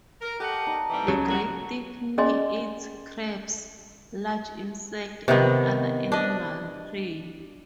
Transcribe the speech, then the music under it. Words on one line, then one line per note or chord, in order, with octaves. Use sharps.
The great thick-knee eats crabs, large insects, and other animal prey.
A#4
G4 A4 D#5 F#5
D#4 D5 E6
C3 E3 G3
C#2 C#3 F#3
E2 A2 F#4 A#4 A5
C#4 G#4 D5 D#5 G#5 C6
C3 D#3 B3
D4 D#5